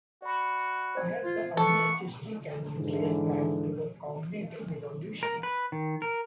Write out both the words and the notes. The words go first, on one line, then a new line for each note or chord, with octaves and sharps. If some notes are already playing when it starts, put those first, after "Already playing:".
Perhaps the earliest history can be traced back to the cognitive revolution.
F#4 D5 B5
C5 G#6
F4
E3 A4 C#6
G#2 D3 E3
A#4
B4
D#3
A#4